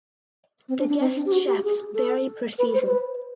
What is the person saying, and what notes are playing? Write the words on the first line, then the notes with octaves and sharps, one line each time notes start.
The guest chefs vary per season.
C4
D4
D4
C4
D4
G4
F#4
G4
G#4
A4
B4
C5
C5
B4